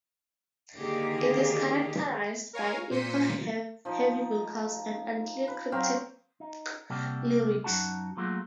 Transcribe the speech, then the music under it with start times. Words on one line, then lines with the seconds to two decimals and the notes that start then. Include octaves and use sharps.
It is characterized by echo-heavy vocals and unclear cryptic lyrics.
0.76 D3 D#3 A#3 G4 G#4
2.53 A#4 C#5 F5 G#5
2.90 A#2 C5 B6 C#7 D#7
3.85 F3 D#4
5.48 B4
5.72 F#3 C4 F5 G5
6.40 D#4
6.90 C3 G3 A#3 F#4 G4 A4
7.64 F#2 D#4 F#4 F#5 A5
8.17 F#3 A3 A#3 F4 F#4 G#4